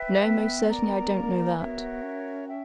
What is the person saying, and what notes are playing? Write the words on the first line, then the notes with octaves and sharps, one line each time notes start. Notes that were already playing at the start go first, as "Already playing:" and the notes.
"No, most certainly I don't know that."
Already playing: B4 E5 G5
B3
A#4 D5 A#5
A#3
B3 F#4 A#4 C#5 E5
C#4
E5 G5